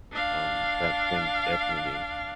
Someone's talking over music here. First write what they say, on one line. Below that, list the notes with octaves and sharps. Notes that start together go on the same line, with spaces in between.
Um, back then, definitely.
D4 F5